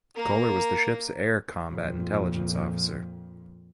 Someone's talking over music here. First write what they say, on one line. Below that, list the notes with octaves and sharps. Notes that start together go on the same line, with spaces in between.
Kohler was the ship's air combat intelligence officer.
A#3 A#4
F2 A#2